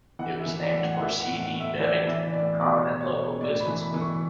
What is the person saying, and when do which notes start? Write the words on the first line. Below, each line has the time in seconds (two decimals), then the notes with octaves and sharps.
It was named for C. D. Bevington, a prominent local businessman.
0.19 E3 F#5
0.40 E5
0.46 E3
0.60 D5
0.73 A2
0.80 F#5
0.94 F#5
1.00 E3 E5
1.20 F#5
1.27 A2
1.40 F#5
1.54 A2
1.60 E5
1.80 E3 D5
2.07 E3 E5
2.33 A2 D5
2.60 B2 D5
2.88 B2
3.01 C#5
3.14 B2
3.41 A2 D5
3.61 B5
3.67 E3
3.81 B5
3.94 E3
4.01 C#6